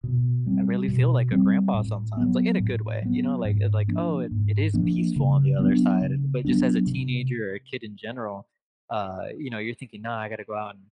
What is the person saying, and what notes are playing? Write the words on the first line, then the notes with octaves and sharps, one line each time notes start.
I really feel like a grandpa sometimes, like, in a good way, you know, like it like, "Oh, it it is peaceful on the other side." But just as a teenager or a kid in general, uh, you know, you're thinking, "No, I gotta go out and
B2
G3 C4
B2
G3 C4
A2
F#3 B3
A2
F#3 B3
G#2
F3 A#3 D4
G#2
F3 A#3 D4
C#3
F#3 B3 D4
C#3
F#3 B3 D4
C3